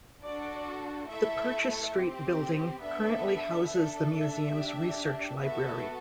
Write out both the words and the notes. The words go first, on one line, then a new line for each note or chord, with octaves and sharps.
The Purchase Street Building currently houses the museum's Research Library.
D4 F#4 A4 D5
A3 E4 A4 E5
C4 G4
B3 D4 A4 E5
D4 A4
E5
D4 G4
B3 F#4 A4 E5